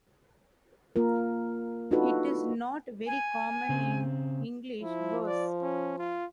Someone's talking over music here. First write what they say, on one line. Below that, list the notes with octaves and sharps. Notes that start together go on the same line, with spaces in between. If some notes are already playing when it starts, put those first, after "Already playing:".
It is not very common in English verse.
A#3 F4 A#4
D4 D#4 F4 F#4 A4 B4
G#5
C#3 C4
F3 E4
D5
C#4
F4